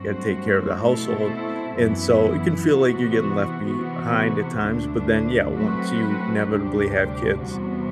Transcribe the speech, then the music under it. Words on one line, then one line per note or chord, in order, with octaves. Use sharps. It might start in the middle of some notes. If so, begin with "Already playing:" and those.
gotta take care of the household." And so, it can feel like you're getting left behind at times, but then, yeah, once you inevitably have kids
Already playing: G2 F#3 A3 C4 F#4
B2 A3 C4 E4 A4
F#2 E3 B3 E4
C3 E3 B3 F#4
C3 E3 B3 F#4
D2 D3 A3 D4
F#3 A3 C4 F#4 B4
D2 C3 G3 D4 G4
E2 C3 G3 B3 F#4